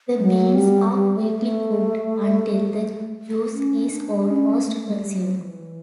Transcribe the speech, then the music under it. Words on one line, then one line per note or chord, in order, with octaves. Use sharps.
The beans are quickly cooked until the juice is almost consumed.
F#3
G3
G3
A3
A3
C#4
D4
C#4
A3
G3
F#3
E3